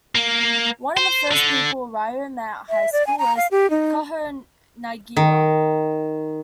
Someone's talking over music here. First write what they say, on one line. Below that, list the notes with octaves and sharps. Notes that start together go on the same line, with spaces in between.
One of the first people Ryo met at high school was Kaho Nagira.
A#3
C5
D3
E5
D5
G#5
A#5
F5
G4
D#4
D#3